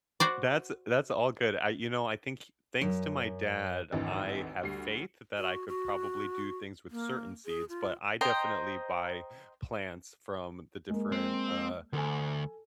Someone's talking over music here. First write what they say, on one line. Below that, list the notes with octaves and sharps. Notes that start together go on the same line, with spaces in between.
That's that's all good, I you know, I think thanks to my dad, I have faith that I could probably do things with certain seeds, but I definitely buy plants from the different, uh,
F#4 C5 D5
F#2
G#1 D2 G#2 D3 E3
D2 G3 C7
F#4
F#4
A#3
G#4
F4
C5 D#5 G5 A#5
G#3 A#3
C4
D2 A4 G#5